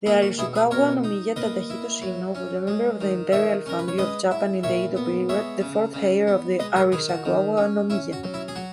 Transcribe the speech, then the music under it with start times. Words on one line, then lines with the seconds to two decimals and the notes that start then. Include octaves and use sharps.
The Arisugawa-no-miya Tadahito Shinnō was a member of the Imperial Family of Japan in the Edo period, the fourth heir of the Arisugawa-no-miya.
0.06 A#3 E4 G#4
0.22 F#4
0.38 B2 E4 G#4
0.55 G#4 B4
0.71 B2 A#4 C#5
1.04 D#4
1.36 A#3 B4 D#5
1.70 E4
2.02 F#3
2.35 C#4
2.67 G#3
3.01 D#3
3.32 D#3 C#5 E5
3.66 C#4 A#4
3.79 B4
3.88 C#5
3.98 G#3 B4 D#5
4.31 E4
4.63 A#2 C#5 E5
4.96 B3
5.29 G#3 C#5 E5
5.61 C#3
5.94 C#3
6.27 B3
6.59 G#3 B4 D#5
6.76 A#4 C#5
6.92 D#3 G#4 B4
7.09 F#4
7.25 D#3
7.57 C#4
7.90 C#4 E4
8.12 F#4
8.23 F#3
8.34 E4
8.48 G#4
8.55 F#3 F#4